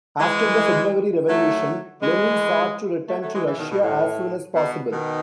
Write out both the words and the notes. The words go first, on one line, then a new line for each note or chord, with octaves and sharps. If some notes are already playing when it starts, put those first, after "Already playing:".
After the February Revolution Lenin sought to return to Russia as soon as possible.
E3 G#3
F#3 A3
E3 G#3
F#3 A3
F#3 A3
E3 G#3
C#3 E3
B2 D#3
B2
A2
B2
B2 D#3